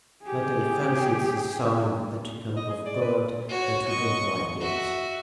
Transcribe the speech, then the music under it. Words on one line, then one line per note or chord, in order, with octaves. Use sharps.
But I fancy it's a sign that we come of God that we don't like it.
G4 G#4
D#5
G#4
D5
B4
F#4 C#5
D#5 C#6
F#4 E5